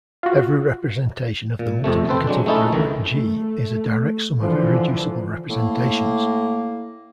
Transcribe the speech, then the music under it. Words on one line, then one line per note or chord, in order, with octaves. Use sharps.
Every representation of the multiplicative group "G" is a direct sum of irreducible representations.
F4 F#4
A#2
F2 C3 A3
A4 B4 C5 G5
F#3 G#3 D4
A3 C#4 D#4 E4 A4
C#2 D#3 E3
A3
D3 E3 F3
A2 A#3